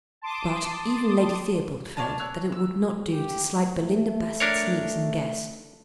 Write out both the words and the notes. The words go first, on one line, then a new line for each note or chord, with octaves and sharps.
But even Lady Theobald felt that it would not do to slight Belinda Bassett's niece and guest.
A5 C6 D6 D#6
D4 C#5 D#5 A5
C#5 E6 F#6
E6
G4
A3
D4 A#4 C#5